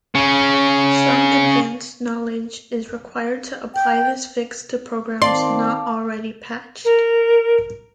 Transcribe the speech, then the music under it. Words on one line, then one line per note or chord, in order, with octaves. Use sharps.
Some advanced knowledge is required to apply this fix to programs not already patched.
C#3 C#4
G5
D#3 C4 D5 F5 A5 C6 D6
A#4